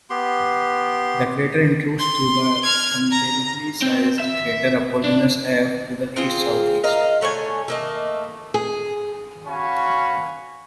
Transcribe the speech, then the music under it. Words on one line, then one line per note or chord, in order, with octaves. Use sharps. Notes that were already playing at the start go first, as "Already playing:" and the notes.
The crater intrudes into the comparably sized crater Apollonius F to the east-southeast.
B3 G4 C6
C6
F6 G#6
A#5
C4
E5
D4
C4 F4 G#4
A#4 D#5 F5
D3 A3 C#5 G#5
A3 A#3 D#5
G#4
C#4 F#4 F5 G#5 B5 C#6